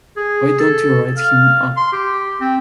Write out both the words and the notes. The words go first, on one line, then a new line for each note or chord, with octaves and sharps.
Why don't you write him up?
G#4
A4
F5
C6
G4
C4